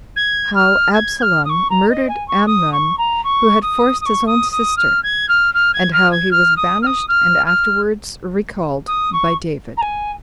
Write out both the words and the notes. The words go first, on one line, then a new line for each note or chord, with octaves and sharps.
How Absalom Murdered Amnon, Who Had Forced His Own Sister; And How He Was Banished And Afterwards Recalled By David.
G#6
F6
G#6
G#6
F6
D#6
C#6
A#5
D#5
G#5
C#6
D#6
C#6
A#5
C#6
D#6
D#6
C#6
D#6
D#6
F6
G#6
F6
F6
G#6
F6
G#6
F6
D#6
F6
D#6
F6
F6
D#6
C#6
A#5
G#5